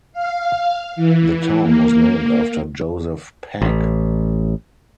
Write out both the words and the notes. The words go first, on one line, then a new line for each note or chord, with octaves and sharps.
The town was named after Joseph Pack.
F5
E3
A#3
A1